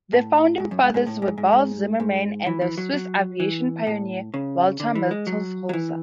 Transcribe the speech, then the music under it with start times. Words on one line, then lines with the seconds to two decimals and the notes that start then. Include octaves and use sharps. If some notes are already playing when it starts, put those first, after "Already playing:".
The founding fathers were Balz Zimmermann and the Swiss aviation pioneer Walter Mittelholzer.
0.13 A2
0.60 G#2
0.71 F#2
0.83 G#2
0.94 G#2
1.07 A2
1.22 G#2
1.38 G#2
1.53 G#2
2.00 G#2
2.47 E3
2.61 E3
2.78 F#3
2.93 F#3
3.40 E3
3.87 A2
4.34 C#3
4.80 D3
4.95 E3
5.11 G#3
5.27 F#3
5.69 F#3
5.73 E3